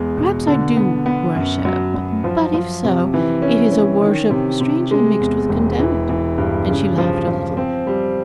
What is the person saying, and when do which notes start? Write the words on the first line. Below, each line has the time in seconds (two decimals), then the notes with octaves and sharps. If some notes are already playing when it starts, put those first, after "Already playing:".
Perhaps I do worship; but if so, it is a worship strangely mixed with contempt.' And she laughed a little.
Already playing: E2 G#3
0.17 B2
0.47 D3
0.77 B3
1.06 B3
1.36 F#2
1.65 F#3
1.94 F#3
2.24 F3
2.54 F3
2.84 C3
3.14 E3
3.42 C#4
3.72 C#4
4.02 D#3
4.31 C3
4.61 C3
4.91 G#3
5.20 E2
5.49 E1
5.79 E3
6.09 E3
6.38 G2
6.68 C#3
6.98 F3
7.28 F3
7.57 C4
7.87 G3